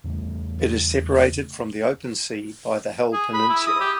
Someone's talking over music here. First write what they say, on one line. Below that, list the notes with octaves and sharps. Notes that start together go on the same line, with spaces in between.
It is separated from the open sea by the Hel Peninsula.
E2 C#3 G3 A3
G#4
B5
E4
D#6
G4